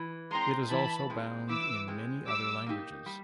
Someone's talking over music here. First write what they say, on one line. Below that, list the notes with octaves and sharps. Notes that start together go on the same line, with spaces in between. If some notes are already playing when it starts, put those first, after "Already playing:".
It is also bound in many other languages.
Already playing: E3
G#3 C4 A#5 C6
E3 A5 B5
G#3 C4
E3 D6 E6
G#3 C4
G3 D6 E6
A#3 D#4 G4
G3